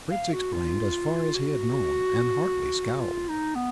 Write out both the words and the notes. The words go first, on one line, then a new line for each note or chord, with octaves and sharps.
Fritz explained as far as he had known, and Hartly scowled.
F5
F#4
F4
F#4
F4
D#4
B3